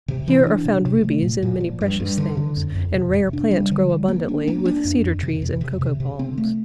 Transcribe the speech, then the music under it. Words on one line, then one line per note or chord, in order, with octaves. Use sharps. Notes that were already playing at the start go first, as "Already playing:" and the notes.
Here are found rubies and many precious things, and rare plants grow abundantly, with cedar trees and cocoa palms.
C3
E3
D4
C3
C3
A3
A#2
A#2
F3
G2
G2
D3
D3
F2
F2
C3
C3
D4
G3
D3
G3
A#3
D4
A#3
D4
F2
F2
C3
F2
C3
C3
C3
C4
A3